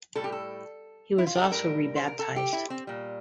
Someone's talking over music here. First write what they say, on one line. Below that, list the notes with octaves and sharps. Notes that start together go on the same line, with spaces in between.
He was also rebaptised.
A2 G3 A4
G4
A4
E4
F4
G4
A4
A2 G3 A#4
C5
A#4
A4
G4
E4
C4
A#2 G3